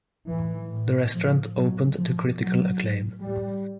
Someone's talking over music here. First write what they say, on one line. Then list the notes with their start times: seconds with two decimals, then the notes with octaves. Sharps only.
The restaurant opened to critical acclaim.
0.28 A2 E3
0.71 A2
1.13 A2 F3
1.55 A2 F#3
1.96 A2 F3
2.38 A2 F#3
2.81 A2
3.22 A2 G3